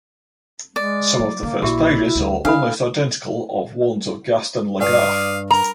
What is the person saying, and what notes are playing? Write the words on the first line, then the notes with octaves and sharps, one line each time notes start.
Some of the first pages are almost identical of ones of Gaston Lagaffe.
G#3 D5
F#3
D3 A#3
A#1 E4 F#4 G4 E5
D2
D3 D4 A4 F5 B5
G2 D5 F5 D#6
A#4 A#5